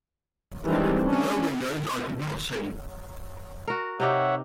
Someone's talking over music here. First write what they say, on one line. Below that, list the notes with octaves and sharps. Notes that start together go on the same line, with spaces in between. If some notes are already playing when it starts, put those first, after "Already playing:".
The lower windows I could not see.
D#3 E3 G3 G#3 C4 D4
A3 C#4 D4
F#4 A#4
C3 D#4 G4 C#5 E5 F#5